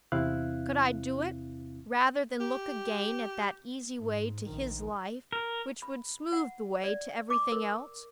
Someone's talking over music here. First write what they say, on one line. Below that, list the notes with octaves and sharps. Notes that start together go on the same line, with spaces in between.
Could I do it, rather than look again at that easy way to his life which would smooth the way to everything else?
E2 C3 C4 E4 F5 F#6
G4
G#2
A#1 D#3
A#4
B5
F#5
D5
D6
A#4